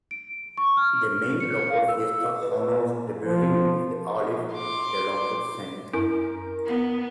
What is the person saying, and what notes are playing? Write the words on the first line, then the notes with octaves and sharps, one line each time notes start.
The main local fiesta honours the "Virgin of the Olive", the local saint.
D7
C#6
F6
C#7
F5
E6
B4
F3
C6 D6
F#2 E4 A#4
B3